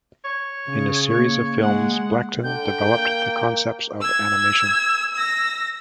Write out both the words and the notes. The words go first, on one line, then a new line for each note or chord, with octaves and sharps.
In a series of films, Blackton developed the concepts of animation.
C#5
C#3
A#3 C#5
G#3 F#5
D3 G5 G6
A#3
E6 G#6
E6 A#6